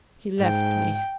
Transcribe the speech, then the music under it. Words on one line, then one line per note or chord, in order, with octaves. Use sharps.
He left me.
G#2 G5